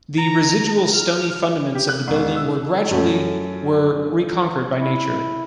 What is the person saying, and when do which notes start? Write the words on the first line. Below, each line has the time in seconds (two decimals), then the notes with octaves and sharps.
The residual stony fundaments of the building were gradually were reconquered by nature.
0.17 A#5
0.93 F6
1.75 G4
1.89 F#6
2.08 E1
2.36 E6
2.91 F#2 A3
4.79 E4